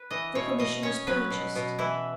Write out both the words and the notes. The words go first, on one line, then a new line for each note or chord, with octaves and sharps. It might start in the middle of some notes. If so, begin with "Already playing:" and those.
The commission is purchased.
Already playing: B4
E3 D#5
B2 C#5
B2 D#5
C#4 C#5
F#3 B4
B2
B2
E3 E4